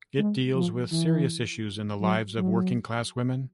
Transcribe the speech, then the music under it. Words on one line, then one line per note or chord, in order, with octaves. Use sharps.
It deals with serious issues in the lives of working-class women.
G#3
F3
E3
F#3
F#3